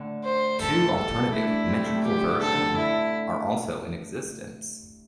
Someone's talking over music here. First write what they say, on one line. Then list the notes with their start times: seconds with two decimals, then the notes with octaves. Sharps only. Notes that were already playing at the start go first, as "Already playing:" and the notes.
Two alternative metrical version are also in existence.
Already playing: A2 D3
0.24 C5
0.60 E3 A4
0.78 E3
0.96 G3 A4
1.32 A3 E4
1.44 D4
1.68 C4
1.77 G3
1.86 A3
1.95 G3
2.04 E3 G4
2.17 D3
2.28 A2
2.40 C3 A4
2.52 D3
2.64 D3
2.77 E4